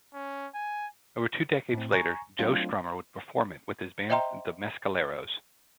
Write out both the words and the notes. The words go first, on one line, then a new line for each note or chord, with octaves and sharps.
Over two decades later, Joe Strummer would perform it with his band the Mescaleros.
C#4
G#5
A2 C4
G#5 A#5 C#6
F#3 A3 C4 D4 F4 F5
C5 D#5 E5 G5 A#5 C6